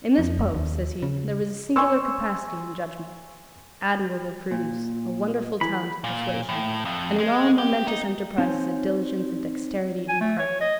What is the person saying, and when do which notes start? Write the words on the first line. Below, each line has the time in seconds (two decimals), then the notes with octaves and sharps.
In this pope, says he, there was a singular capacity and judgement: admirable prudence; a wonderful talent of persuasion; and in all momentous enterprizes a diligence and dexterity incredible.
0.19 F2
0.54 D#2
1.02 C#3
1.76 G#5 C6 C#6 E6
4.51 A#2
5.61 E3 B5
6.04 A#2
6.49 A2
6.85 F2
7.20 G#3
7.58 G4
7.87 D#4
8.38 C4 D#4 C5 C#5 G#5
10.09 G#5
10.21 A3
10.39 C#5
10.61 D#5